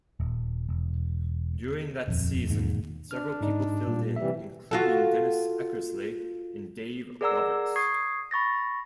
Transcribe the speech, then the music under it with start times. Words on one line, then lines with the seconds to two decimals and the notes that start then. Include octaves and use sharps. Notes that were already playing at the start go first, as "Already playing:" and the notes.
During that season, several people filled in including Dennis Eckersley and Dave Roberts.
0.20 D#1
0.69 E1
2.08 D#1 F2
2.47 E1 D#2 G#2
3.11 D4 F6
3.41 G#2 D#4 D5
3.87 A#2 G3
4.16 C3 E3 G3 E5
4.71 F4 F#4 A4
7.21 G#4 A#4 D5 F#5 A#5 E6
7.76 C#6 D#6 G#6 C7
8.31 B5 C#6 A6 A#6